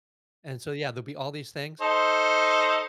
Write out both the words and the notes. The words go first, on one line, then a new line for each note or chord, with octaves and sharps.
And so yeah, there'll be all these things,
D#4 A4 C5